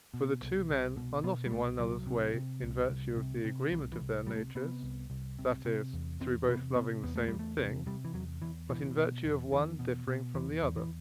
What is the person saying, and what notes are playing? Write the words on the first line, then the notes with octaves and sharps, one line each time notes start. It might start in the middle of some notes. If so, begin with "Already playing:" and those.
For the two men are not in one another's way in virtue of the agreement of their natures, that is, through both loving the same thing, but in virtue of one differing from the other.
B2
C2
C2
B2
B2 B3
G3
C2 A3
C2 F#3
C3
C3
C2
C2
C3
C3
C2 E3
E3
C2
C3 G3
A3
C3 B3
C2
C2
C3
C3
E2
E2 C4
C3 B3
C3 B3
E2 B3
A3
E2 G3
A3
C3
C3 G3
E3
E2 F#3
E2 E3
B2 E3
B2
E2
E2 D#3
B2
B2
E2 E3
E2
E3